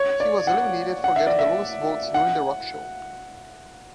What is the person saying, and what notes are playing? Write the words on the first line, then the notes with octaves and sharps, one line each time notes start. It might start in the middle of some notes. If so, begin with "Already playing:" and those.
He was eliminated for getting the lowest votes during The Rock Show.
Already playing: C#5
D5
F#5
F#5
E5
D5
E5
F#5